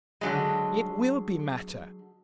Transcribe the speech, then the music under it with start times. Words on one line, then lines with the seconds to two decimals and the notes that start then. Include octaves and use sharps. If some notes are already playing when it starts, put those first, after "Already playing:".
'It will be matter.
0.21 D3 F#3 G#3